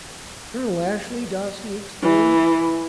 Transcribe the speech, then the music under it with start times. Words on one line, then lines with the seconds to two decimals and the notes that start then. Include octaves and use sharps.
"Colonel Ashley!" Darcy exclaimed.
2.02 E3